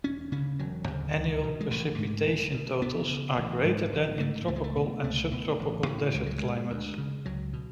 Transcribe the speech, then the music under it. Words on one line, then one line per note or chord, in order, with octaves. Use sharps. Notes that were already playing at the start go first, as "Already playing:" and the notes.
Annual precipitation totals are greater than in tropical and subtropical desert climates.
E1 C#4
D2 C#3 C#4
E1 F#3
D2 C#3
C#2
B2
G#3
A1 A3
G#2
B1
B2
D2 B3
C#3
A1
G#2
A1
G#2 A3
C#2 A3
G#3
A3
B2
C#2 A3
B2
A1
A2
C#2 G#3
F#3
B2 G#3
D2
C#3
C#2 F#3
B2